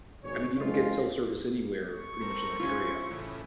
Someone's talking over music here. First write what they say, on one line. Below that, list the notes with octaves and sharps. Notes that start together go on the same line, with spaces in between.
I mean, you don't get cell service anywhere pretty much in that area.
G#1 B2 D#4 G#4 C#5
F#1 F2 G#3 F4
C#6
A3 C4 A#4
C#4 E4 F4 C5
A2 C#3 E3